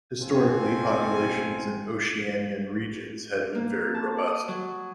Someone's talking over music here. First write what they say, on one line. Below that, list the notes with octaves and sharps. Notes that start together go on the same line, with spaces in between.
Historically, populations in Oceanian regions had been very robust.
F#1 B1 C4 F4 A4 G#5
A#3
A5
D#6
F#3